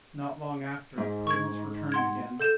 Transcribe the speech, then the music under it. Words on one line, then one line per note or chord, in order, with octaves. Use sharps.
Not long after, Prudence returned again.
G#2
C#6 G#6
F#5 C6 G#6
A4 G6 E7